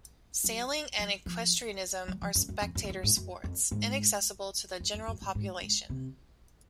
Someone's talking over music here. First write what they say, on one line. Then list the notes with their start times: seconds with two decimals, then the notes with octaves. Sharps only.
Sailing and equestrianism are spectator sports, inaccessible to the general population.
0.44 F#3
0.99 F#3
1.26 F3
2.08 F#3
2.22 F3
2.35 F#2
2.49 F#2
2.62 F2
2.75 F#2
2.84 G#2
2.90 F#2
3.03 G#2
3.17 F#2
3.44 F2
3.71 G#2
4.80 F#2
4.94 F2
5.08 F#2
5.22 G#2
5.35 G#2
5.62 G#2
5.90 C3